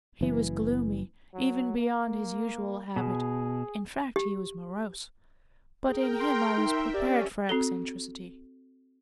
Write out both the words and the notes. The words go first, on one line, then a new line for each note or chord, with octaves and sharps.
He was gloomy, even beyond his usual habit--in fact he was morose--but in him I was prepared for eccentricity.
F#1 E3
F#3
A#3
B2 G#4
G4
G#4 A#4 G5
C6
D#4 E5
C#4 G4 D5
C4 F#4 A4